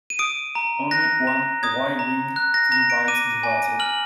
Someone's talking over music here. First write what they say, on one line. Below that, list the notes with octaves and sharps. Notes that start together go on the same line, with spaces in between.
Only one Y-wing survives the battle.
D#7
D#6 D7
A#5
F#6 A#6
A#5
D#6 G#6
A#5
F#6
A#6
A#5 A#6
D7
D6 D#7
G#5
F6 F#7